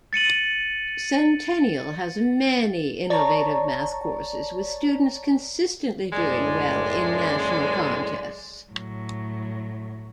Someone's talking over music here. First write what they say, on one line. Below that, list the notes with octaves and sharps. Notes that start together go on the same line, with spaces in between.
Centennial has many innovative Math courses with students consistently doing well in National contests.
A6 C#7 D#7 F#7
C#5 D5 A5 A#5 C#6 A6
F#1 A2 G#3 D5
A2 F#3